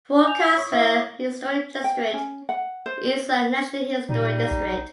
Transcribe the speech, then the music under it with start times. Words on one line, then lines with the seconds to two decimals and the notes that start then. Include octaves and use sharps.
Fort Caswell Historic District is a national historic district.
0.24 G#5 G6 F7
0.57 C#5 C#6 D#6
0.72 E4
1.84 G5
2.13 C#4
2.49 F#5
2.86 C5
4.09 A#2 G3 D#4
4.51 A#1